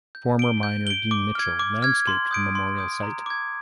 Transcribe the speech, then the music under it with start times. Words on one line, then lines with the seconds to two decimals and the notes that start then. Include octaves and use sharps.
Former miner Dean Mitchell landscaped the memorial site.
0.15 G6
0.39 D7 G7
0.63 G6
0.87 D7 G7
1.11 D6
1.35 F6 G#6
1.59 D6
1.82 F6 G#6
2.07 C6
2.31 D#6 G6 D7
2.55 C6
2.78 D#6 G6 D7
3.03 A#5
3.26 D6 G#6